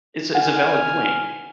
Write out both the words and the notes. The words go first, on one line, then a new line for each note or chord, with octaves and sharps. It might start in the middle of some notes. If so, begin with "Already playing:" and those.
It's a it's a valid point.
F#5 G#5 F6